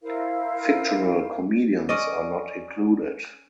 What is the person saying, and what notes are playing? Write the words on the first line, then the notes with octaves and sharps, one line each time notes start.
Fictional comedians are not included.
E4 A#4 C5 F5
C#4 D5 D#5